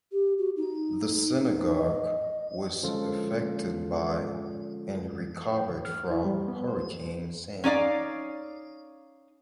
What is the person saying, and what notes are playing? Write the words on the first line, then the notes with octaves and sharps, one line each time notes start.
The synagogue was affected by and recovered from Hurricane Sandy.
G4
F#4
D#4
D#5
D3 F3 G#3 C#4 F4 A4
G5
D2
F6
E4
G3
B3
C5
C#4 D#4 D5 F5